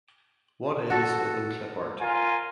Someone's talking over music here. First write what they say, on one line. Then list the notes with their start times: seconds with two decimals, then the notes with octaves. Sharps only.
What is Open Clipart?
0.90 F#4 A4
2.01 F4 A#4 G#5